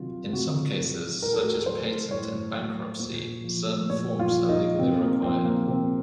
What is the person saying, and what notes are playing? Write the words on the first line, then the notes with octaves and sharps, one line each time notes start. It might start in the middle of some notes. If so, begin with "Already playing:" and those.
In some cases, such as patent and bankruptcy, certain forms are legally required.
Already playing: C3 D#3 F#3 F4
C3 F#4
D#3 F#3
A2 A#4
A4
F#4
A4
F#3 C5
A2 C#5
F#3
A#2
F3
A#2 C#5
F4
F3
D#4
C3 C4
A#3
F3 C4
A#3
C3 C4